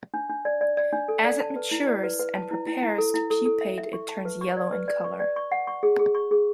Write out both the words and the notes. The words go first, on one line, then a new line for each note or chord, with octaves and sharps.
As it matures and prepares to pupate it turns yellow in color.
D4
D4
D5
D5
D5
D4
A4
D5
A5
B4
E4
D5
B4
B4
A5
E4
E4
E4
A4
E4
A4
A4
E5
E5
C#6
A5
B4
C#6
D5
B4
D5
C#6
D5
C#6
F#5
C#6
G#4
G#4
C#6
G#4